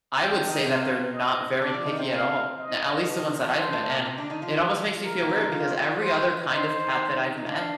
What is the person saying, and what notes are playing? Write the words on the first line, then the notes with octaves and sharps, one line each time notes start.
I would say that they're not very picky at all, n at least the ones that I've met, and it almost makes me feel weird because every other kind of cat that I've met,
G5
C4
D4
D#3 D#4
C3 C4 F5
D#5
D3 D4 D5
F3 F4
D#3 D#4
C3 C4
F5
D#5
D3
D#3
D#3
F3
G3 C5
A2 A3
A#2 A#3
C3 C4
D3 D4
D#3 D#4
F3 F4
A#4
A#3
C4
D4
D#4
F3 F4
C5
D#3 D#4 C5
D#4
D3 D4 F5